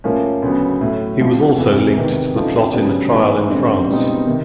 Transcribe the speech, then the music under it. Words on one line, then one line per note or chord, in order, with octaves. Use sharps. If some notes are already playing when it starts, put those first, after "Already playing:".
He was also linked to the plot in a trial in France.
A2 F3 A#3 C#4
D2 C#3 F#3 B3
A2 F#3 A3
D2 C3 F3
F2 C3 E3
E2 C3 D#3
C#3 F3 A3 C4 D#4
C#3 F#3 B3 D4 G4
A2 E3 G#3 B3
F#2 D3 G3 C4
C#2 B2 G3 C4 D#4
C3 D#3